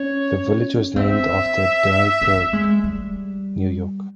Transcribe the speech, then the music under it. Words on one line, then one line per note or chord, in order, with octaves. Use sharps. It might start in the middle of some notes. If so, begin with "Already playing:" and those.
The village was named after Dunkirk, New York.
Already playing: C#4 C#5
C4 E5
C4
G#3
G3